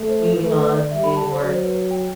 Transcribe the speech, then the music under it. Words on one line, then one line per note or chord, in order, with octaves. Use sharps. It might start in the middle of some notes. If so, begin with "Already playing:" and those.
moving on, doing more
Already playing: A3
C5
A4
A3 B4
B4
D5
G3 E5
B5
A5
C5
F#3 D5
C5
B4
G5